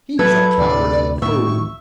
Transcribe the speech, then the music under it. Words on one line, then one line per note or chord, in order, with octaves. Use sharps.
"He's a cowardly fool!"
F#3 A4 B4 E5 G#6
D2 C3 D5
A2 D#3 E5 C#6